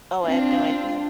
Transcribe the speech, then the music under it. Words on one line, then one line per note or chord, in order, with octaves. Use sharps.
Oh, I have no idea.
C4 D4 F4